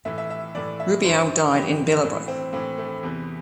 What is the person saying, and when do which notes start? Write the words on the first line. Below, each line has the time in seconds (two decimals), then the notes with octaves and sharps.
Rubial died in Bilbao.
0.05 A2 E3 E5
0.18 E5
0.30 E5
0.55 A2 E3 D5
0.80 E5
1.04 G2 E3 C5
1.54 G2 E3 G4
2.03 A2 E3
2.28 C4
2.53 A2 E3 C4
2.78 A3
3.03 E2 C3 E3